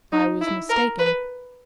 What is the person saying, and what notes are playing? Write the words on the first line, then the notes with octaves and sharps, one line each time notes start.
I was mistaken.
D#4
E4
A#4
B4